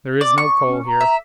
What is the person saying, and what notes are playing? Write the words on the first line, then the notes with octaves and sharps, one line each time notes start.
There is no coal here.
D5
C#6
C#4
A#5
E5